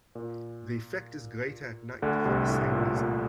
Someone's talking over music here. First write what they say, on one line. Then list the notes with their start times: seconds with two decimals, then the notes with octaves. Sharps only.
The effect is greater at night for the same reason.
0.15 A#2
2.02 D2 D3
2.25 C2 C3
2.49 A2
2.72 A#2
2.96 A#2